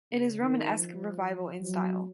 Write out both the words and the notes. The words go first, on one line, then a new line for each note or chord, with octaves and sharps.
It is Romanesque Revival in style.
C#3
D#3
F3
F#3